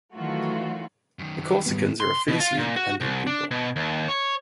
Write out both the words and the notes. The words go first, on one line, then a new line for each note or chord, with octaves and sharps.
The Corsicans are a fiercely independent people.
D#3 E3 F#3 A3 F4 F#4
F#2 D#3
G#2 G3 B3
C6
B2
F4
A#2
F#4
C2
D4
B2
D#2
C#5